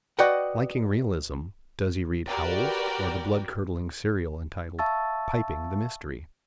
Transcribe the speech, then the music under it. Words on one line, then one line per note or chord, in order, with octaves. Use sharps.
Liking realism, does he read Howells or the blood-curdling serial entitled "Piping the Mystery"?
F#4 B4 D5 D#5 F#5 G5
F#4 G4 A#4 B4 D5 G5
E5 F5 A5 C#6 E6 A6